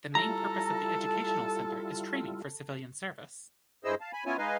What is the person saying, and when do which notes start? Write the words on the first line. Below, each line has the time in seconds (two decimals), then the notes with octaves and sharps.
The main purpose of the Educational Center is training for civilian service.
0.15 G3 E4 F4 A4 A#5
3.84 G2 E4 G#4 C5 D#5 E6
4.01 F5 A5
4.13 G#5 B5
4.26 B3 C#4 E4 F4 C#5 G#5
4.38 G#3 D#4 B4 D#5 F5 G#5